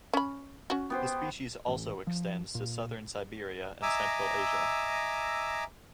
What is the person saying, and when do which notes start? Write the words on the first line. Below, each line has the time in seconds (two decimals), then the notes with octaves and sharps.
The species also extends to southern Siberia and Central Asia.
0.13 C#4 B5
0.70 C#4 F#4
0.90 B3 G4 C5
1.68 A1
2.07 F3
2.55 A#2
3.82 D#5 E5 G#5 A#5 D6 E6